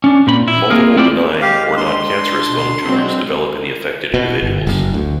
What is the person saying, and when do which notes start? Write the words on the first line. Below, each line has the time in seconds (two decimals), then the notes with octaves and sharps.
Multiple benign or noncancerous bone tumors develop in the affected individuals.
0.04 C#4 D4
0.27 A#2 C4 B5
0.48 E4
0.70 A#3 C4 D#4 F4 G#4 A#4
0.97 A3 C4 E4 F4 C5 D5
1.42 G#3 G4 F5
1.77 D4 C6
2.47 B2
2.85 F#3 G#3 C4
4.14 B2
4.42 G1
4.67 F#1
4.94 D2